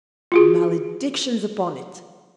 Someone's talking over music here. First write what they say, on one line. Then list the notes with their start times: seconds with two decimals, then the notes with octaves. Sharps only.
Maledictions upon it!
0.32 F4 F#4 G#4